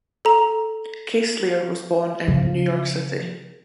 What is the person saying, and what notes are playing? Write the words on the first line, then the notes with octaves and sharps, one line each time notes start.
Casilear was born in New York City.
A4 A#5
C#3 F3